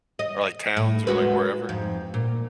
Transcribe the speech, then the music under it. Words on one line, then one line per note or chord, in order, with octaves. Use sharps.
or, like, towns or, like, wherever,
D#5
A2
G#3 F#4 B4
F2 G#2
A#2